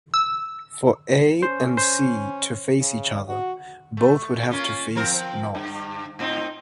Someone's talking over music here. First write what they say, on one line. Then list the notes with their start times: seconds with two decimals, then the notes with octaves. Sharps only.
For A and C to face each other, both would have to face North.
0.14 E6
1.43 C#4 C5
1.77 C5
2.81 C#3
3.29 F#4
3.97 A3
4.50 A#3 C#4 F4
4.95 F3 C4 A#4
5.55 G2
6.19 A2 C4 D#4